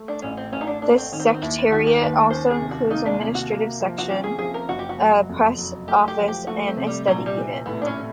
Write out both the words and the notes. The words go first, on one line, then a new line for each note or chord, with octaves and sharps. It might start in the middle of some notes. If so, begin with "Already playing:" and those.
The Secretariat also includes an administrative section, a press office and a Study Unit.
Already playing: A3
D4
A1 C#4
C4
A1 C#4
D#4
D4
A3 D4
C4
D#3 C#4
C4
B3
C4
D#2 E4
D#3 F#4
G4
D#2 B4
C#4 C5
G#4
C3
F#4
A#3 D#4
D4
C3 E4
F#4
A#3
F3
F#4
C#4 G4
G#4
F3 G#4
A#4
F#1 F#4
G4
F#4
F#3
F2
F#3
A3 G4
G4
F3
G4
A3 F#4
C4
C3
G3
A#1 F#3
G3
E3
A2 B3
D4
C#4